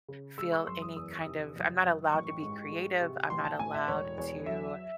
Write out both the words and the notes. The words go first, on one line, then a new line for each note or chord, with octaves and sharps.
feel any kind of I'm not allowed to be creative, I'm not allowed to,
C#3
G#3 E6
C#6
F#2 C6
D#6
E2 D#6
C3
F#1
F#2
A1 C#6
G#2
G#3
C3
A1 C6
A5
A2 G#5
E5
E1 C#5
E2 C#5
F#3 E5